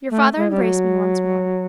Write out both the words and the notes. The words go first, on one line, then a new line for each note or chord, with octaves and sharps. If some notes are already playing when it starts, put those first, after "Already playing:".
Your father embraced me once more.
A3
G#3
G3
F#3